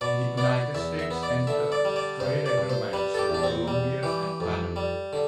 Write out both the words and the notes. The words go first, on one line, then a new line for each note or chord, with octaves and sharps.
The United States entered trade agreements with Colombia and Panama.
B2 D5
B3 D5
E2 E5
E5
B3
D5
D3 E5
D5
G3
D5
G2 C5
D5
G2
C5
G3 B4
A4
G4
E2 D4
C4
G3
E3 G4
F2
G3
D3